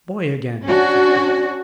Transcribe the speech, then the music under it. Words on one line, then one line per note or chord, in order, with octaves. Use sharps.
"Boy again!" said Dick.
C#4 D4 F#4